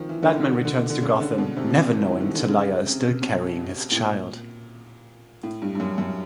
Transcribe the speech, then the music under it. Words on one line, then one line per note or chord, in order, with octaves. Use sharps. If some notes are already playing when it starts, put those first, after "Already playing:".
Batman returns to Gotham, never knowing Talia is still carrying his child.
Already playing: D#3 F3
E3
D3
D#3
D3
D3
C#3
D3
B2
C3
E3
D#3
D3
C#3
C3
B2
A2
A#2
A2
G2
G2
F#2
F#2